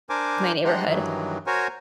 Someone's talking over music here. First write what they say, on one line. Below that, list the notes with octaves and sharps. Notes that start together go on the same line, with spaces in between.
my neighborhood,
D4 A#4 C5 G#5 D6
G#3 D4 G4 F#5 A#5 C6
G2 D#3 E3 F#3
F#4 A#4 C5 C#5 G#5